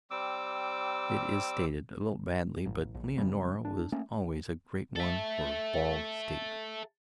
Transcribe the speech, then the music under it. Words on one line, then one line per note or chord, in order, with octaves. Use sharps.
It is stated a little baldly, but Leonora was always a great one for bald statements.
G3 C4 D6 E6
A1
A#1
E1 C#3 G3 C4
D4
A3 A#3 C#4
A4 E5